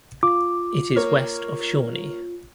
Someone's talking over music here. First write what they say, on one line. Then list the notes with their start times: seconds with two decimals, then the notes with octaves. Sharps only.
It is west of Shawnee.
0.23 F4 D6
0.96 A#3 C#5 F6